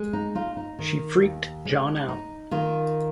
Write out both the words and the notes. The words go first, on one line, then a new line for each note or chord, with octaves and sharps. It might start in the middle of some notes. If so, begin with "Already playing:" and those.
She freaked John out.
Already playing: G#3
D#4
D#4 F4
D#4
D#3
D#2
G#3
D#4
D#3 F4